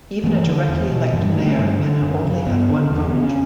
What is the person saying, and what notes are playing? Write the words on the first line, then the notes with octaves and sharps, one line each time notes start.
Even a directly elected Mayor can only have one vote.
G2 E3
D3
E2
B2
G2 E3
G3
D3 A3
A3
G2
D3
F#2
C#3
G2 B3
D3
E2
C#3 B3
C#4